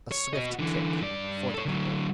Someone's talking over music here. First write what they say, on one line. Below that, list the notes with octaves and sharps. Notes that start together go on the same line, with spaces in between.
A swift kick for the people.
C#5
F#4 D#5
D3 E3
G2 D5
A4 C#5
D3 F#3